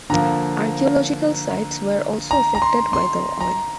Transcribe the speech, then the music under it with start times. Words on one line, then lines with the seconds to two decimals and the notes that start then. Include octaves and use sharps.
Archeological sites were also affected by the oil.
0.10 D3 F3 A#3 A#5
2.31 A#5
2.55 A#5
2.62 C6
2.93 C6
3.41 A#5